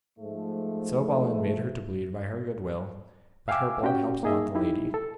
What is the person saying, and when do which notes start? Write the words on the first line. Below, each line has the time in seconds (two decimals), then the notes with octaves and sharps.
And so Balin made her to bleed by her good will, but her blood helped not the lady.
0.19 G#2 F3 A3
3.48 E5 F5 G5 G#5 D6 E6
3.83 C#4 F#4 G4 G5
4.23 A#3 D#4 G#4 D#5 E5
4.55 D#4 E4 G4
4.94 A4